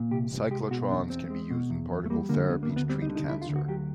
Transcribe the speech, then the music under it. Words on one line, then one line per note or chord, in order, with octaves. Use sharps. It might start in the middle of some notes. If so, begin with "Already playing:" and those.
Cyclotrons can be used in particle therapy to treat cancer.
Already playing: A#2
C2 G4
C2
G#3 G4
B2 F#4
E2 D4
E2 C4
G#3
B2
E2
E2
A3
G3 A#3
D3 A#3
D2 B3
A#3
D2
B3
G3 C4
D#4
D3
D#4
D2 E4
F4
D2
F#4
F#3 G4